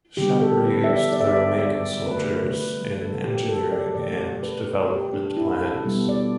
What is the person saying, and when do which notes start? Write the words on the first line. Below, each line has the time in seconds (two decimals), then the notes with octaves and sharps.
Shapur used the remaining soldiers in engineering and development plans.
0.17 D3 G3 B3 G4
0.42 A4
0.66 B4
0.84 E5
0.89 D5
1.13 D5
1.20 E5
1.27 D5
1.59 D5
2.07 D3 A3 B4
2.53 B4
3.01 A4
3.25 G4
3.48 A4
3.72 D5
3.95 B2 A3 D5
4.43 B4
4.90 G4
5.14 D4
5.37 E4
5.61 A4
5.84 B2 G3 B3
6.09 D5